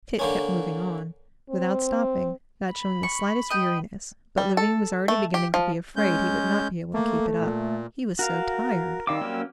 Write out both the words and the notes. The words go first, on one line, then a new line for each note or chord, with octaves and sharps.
Tit kept moving on, without stopping, not showing the slightest weariness, but Levin was already beginning to be afraid he would not be able to keep it up: he was so tired.
D3 A#3 C#4
C4
B5
C#6
D#5 G5
G3
A4
A3
G4
F3
G#3 C#4 G6
A3 A#3
A#2
F#4 A#4 F5
D#3 G3 C4 F5 D6 E6
F#3 A#3 C#4